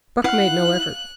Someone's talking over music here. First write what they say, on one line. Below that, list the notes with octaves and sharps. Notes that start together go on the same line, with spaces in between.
Buck made no effort.
E4 F5 F#5 F6 F#6